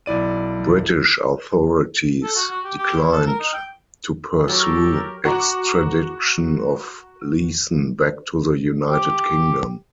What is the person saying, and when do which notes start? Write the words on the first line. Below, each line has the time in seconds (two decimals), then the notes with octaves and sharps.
British authorities declined to pursue extradition of Leeson back to the United Kingdom.
0.06 B1 E4 D5 D#7
2.23 A4
2.36 F#4
2.50 F#4
2.64 G4
2.78 G4
2.97 E4
3.12 A4
3.26 A#4
3.39 D#4
3.53 G5
4.48 F#3 G4 A4 A#4
5.25 F#4 F#5 A#5 D6
8.89 G4